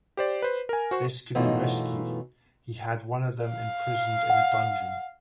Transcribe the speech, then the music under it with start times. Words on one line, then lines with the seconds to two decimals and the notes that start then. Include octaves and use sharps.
This could be risky; he had one of them imprisoned in a dungeon.
0.17 G4 C5 D5
0.42 B4 C5
0.69 A#4 G#5
0.91 F#4 C5 C#6
1.35 F#2 B2 E3 A3 D#4 F4
3.49 F5
4.30 F#5